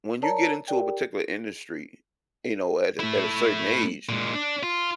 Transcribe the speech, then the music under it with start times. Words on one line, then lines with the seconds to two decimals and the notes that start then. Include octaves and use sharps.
when you get into a particular industry, you know, at a at a certain age,
0.23 A#4 C#5 D5 A5 A#5
0.68 G4 A#4 D5 G5
2.99 A3 E4
4.09 A#2 G#3
4.35 D4
4.63 F4